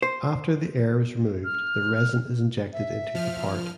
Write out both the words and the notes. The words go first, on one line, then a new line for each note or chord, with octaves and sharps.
After the air is removed the resin is injected into the part.
C5
F6
E5
F3 F6